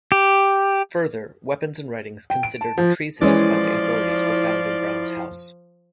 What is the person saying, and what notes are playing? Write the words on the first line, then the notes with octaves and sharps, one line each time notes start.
Further, weapons and writings considered treasonous by the authorities were found in Brown's house.
G4
G5
D7
A5
F3
E3 F3 G#3 C#4 E4 D5